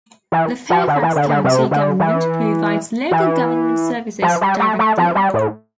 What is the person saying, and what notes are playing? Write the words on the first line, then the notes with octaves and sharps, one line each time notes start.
The Fairfax County Government provides local government services directly.
E3
F3
D3
E3
D3
D3
C3
D3
E3
E3
F3
G3
A3
A3
F3
G3
A2